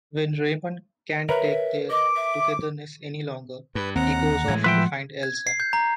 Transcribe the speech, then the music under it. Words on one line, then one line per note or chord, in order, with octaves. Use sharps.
When Raymond can't take their togetherness any longer, he goes off to find Elsa.
A#4 B4 C#5 E5
D#5 D6
E5
G2 B4
D#2 C4 F#5 A#5
A2 E3 G#3 G#6
F3 B4 E5 F#5 G5 C6
G#6
C7
G6
A#5